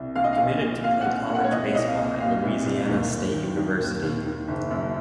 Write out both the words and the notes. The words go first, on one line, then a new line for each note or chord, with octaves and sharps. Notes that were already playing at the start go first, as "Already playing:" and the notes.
He committed to play college baseball at Louisiana State University.
Already playing: C2
A#1 F5
D#5
F5
A#1
A#2
A#2 F5
F#5
A#1
A#1
F#5
C#5
C2 D#5
C2 D#5
F5
A#2
A#2 F5
C2
C2
D#2
D#2
D#3
D#3
D#2
D#2
D#3
F#1
F#2